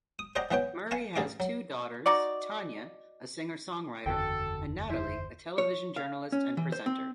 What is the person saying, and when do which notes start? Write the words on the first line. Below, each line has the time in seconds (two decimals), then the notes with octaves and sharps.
Murray has two daughters, Tania, a singer-songwriter, and Natalie, a television journalist and presenter.
0.19 D#6
0.36 C5 D5 D#5 F#5 G5 A#5
0.51 E3 B3 B4 C#5 G5
0.91 F5 G#5 A5 C#6
1.16 A1 G#4 F5 D6
1.40 F#3
2.06 D#4 F#4 D5
4.06 F#1 E2 D3 F#4 A4 G5
4.90 E4 C5 E5
5.58 C#5
5.96 F5
6.32 C#4
6.57 E3
6.72 C5
6.86 C4